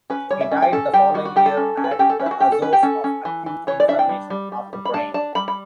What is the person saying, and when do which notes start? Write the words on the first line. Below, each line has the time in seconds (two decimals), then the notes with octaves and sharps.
He died the following year at the Azores of "acute inflammation of the brain".
0.10 C#4 B4
0.31 G3 C#5
0.41 E5
0.51 C#4
0.62 G5
0.72 C#4 A4
0.93 G3 G4
1.14 G3 F#4
1.25 F#4
1.36 G3 G4
1.46 A4
1.57 C#4
1.77 C#4
1.84 B4
1.91 A4
1.99 C#4 G4
2.10 A4
2.20 C#4 B4
2.26 E4
2.31 F#4
2.40 C#4 G4
2.52 A4
2.62 C#4 B4
2.73 G4
2.83 C#4 A4
3.04 C#4
3.25 E3
3.46 E3
3.67 E3 C#5
3.80 D5
3.88 D4 E5
3.99 G5
4.09 G3
4.30 G3
4.52 G3
4.73 G3
4.85 B5
4.93 D4 A5
5.14 D4 A5
5.35 G3 B5
5.48 B5